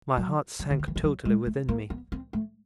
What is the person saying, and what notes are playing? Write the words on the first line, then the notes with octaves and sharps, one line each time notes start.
My heart sank totally within me.
F#3
F#3
D3
D#3
E3
F3
F#3
G#3
A3
A#3
B3
C4
A3